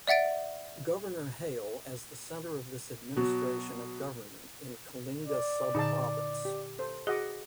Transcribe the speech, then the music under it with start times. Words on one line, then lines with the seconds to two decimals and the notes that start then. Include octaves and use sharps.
Governor Hale as the center of this Administration of government in Kalinga sub-province.
0.08 D5 E5 F#5 A6 D7
3.16 B2 F#3
5.25 D5
5.75 A#2 D3 D#4 G#4 A5
6.45 G4
6.79 A4 C5
7.07 F#4 G#4 D#5 F#5 D6